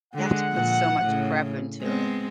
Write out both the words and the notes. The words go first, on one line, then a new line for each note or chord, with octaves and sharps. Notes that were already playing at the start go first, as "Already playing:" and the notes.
you have to put so much prep into it.
D3 G#3 F#5
A#2 F3
A2 C#3
G#3 B3 C4